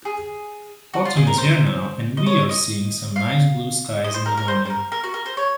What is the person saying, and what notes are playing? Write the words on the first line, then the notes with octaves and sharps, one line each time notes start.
Autumn is here now, and we are seeing some nice blue skies in the morning.
G#4
F#4
F4
G#4
A#4
C5
D#5
C#5
D#5
F5
D#5
C5
A#4
A#4
C5
C5
A#4
A#4
F#4
A#4
C5
C#5